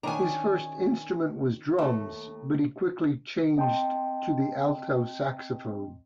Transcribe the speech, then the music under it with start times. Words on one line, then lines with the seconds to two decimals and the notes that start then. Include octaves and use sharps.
His first instrument was drums, but he quickly changed to the alto saxophone.
0.03 D#3 C#4 D4 G#5 A#5
1.79 D#2 A3
3.57 C4 D#5 G5 A5 C6